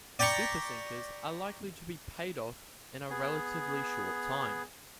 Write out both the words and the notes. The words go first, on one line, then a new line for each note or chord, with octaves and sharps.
Super sinkers are likely to be paid off in a relatively short time.
D5 G5 A#5 B5 C#6
B3 G#4